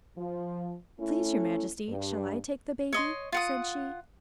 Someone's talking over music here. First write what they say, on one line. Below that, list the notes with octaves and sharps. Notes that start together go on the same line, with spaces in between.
"Please, your Majesty, shall I take the baby?" said she.
F3
A3 C#4 E4
G2
C#5 D#5 C6
F4 F#5 D#6